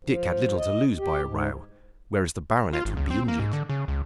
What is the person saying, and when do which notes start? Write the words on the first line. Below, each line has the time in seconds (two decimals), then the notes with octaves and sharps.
Dick had little to lose by a row, whereas the Baronet would be injured.
0.05 F3
0.57 D#5
0.98 G4
1.22 G#2
2.73 F4
2.85 G#1
2.97 C#2
3.11 C4
3.28 A#3
3.40 G#2
3.53 D3
3.69 C#3
3.88 C#2